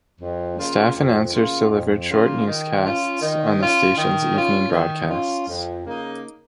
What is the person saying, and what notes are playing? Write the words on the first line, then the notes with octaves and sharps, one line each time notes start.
Staff announcers delivered short newscasts on the station's evening broadcasts.
F2
C#3 A#3 F4
F2
C#3 A#3 F4
F2
C#3 A#3 F4
D#3
C#4 F4
D#3
C#4 F4
D#3
C#4 F4
D#3
C#4 F4
F2
C#3 A#3 D#4